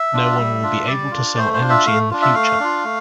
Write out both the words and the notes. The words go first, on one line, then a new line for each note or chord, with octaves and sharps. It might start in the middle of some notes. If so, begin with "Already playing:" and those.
No one will be able to sell energy in the future.
Already playing: E5
D4 F4
G3
D4 F4
G3 D5
D4 F4
A3 C5
C5
D4 F4
E5
A3 F5
D4 F4
E5
A3 F5
D4 F4
A3